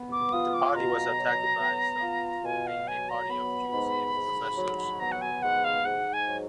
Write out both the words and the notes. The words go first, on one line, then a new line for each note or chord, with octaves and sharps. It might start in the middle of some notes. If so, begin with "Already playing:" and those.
The party was attacked by some for being a party of Jews and professors.
Already playing: B3
D6
F4 D#6
D6
B2 A#5
F#3
B3
F4
B2 G#5
F5
F#3 G#5
A#5
B3 B5
G#2
G#2
F#3
B3 A#5
F#5
G#5
G#2 F#5
F5
G#2 F#5
G#5
F#3